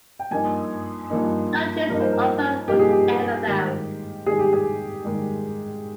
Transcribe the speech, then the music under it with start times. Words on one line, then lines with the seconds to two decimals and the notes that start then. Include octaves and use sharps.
No trace of her was ever found.
0.19 G5
0.31 G2 F3 A#3 D#4 G#5
1.10 G2 F3 A#3 D#4
1.89 G2 F3 A#3 D#4 A#4
2.00 C5
2.12 A#4
2.68 G2 F3 A#3 D#4 G4
2.79 G#4
2.90 G4
3.47 G#2 D#3 G3
4.26 G#2 D#3 G3 G#4
4.39 G4
4.53 G#4
5.05 G#2 D#3 G3